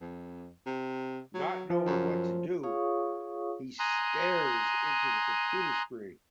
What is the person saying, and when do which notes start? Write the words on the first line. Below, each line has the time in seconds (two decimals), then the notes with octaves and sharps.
Not knowing what to do, he stares into the computer screen.
0.01 F2
0.66 C3
1.34 F#3
1.70 F3
1.86 F#2
2.63 F4 G#4 C#5 F5 C#6 D#6
3.79 G#5 A#5 C6 D#6 F#6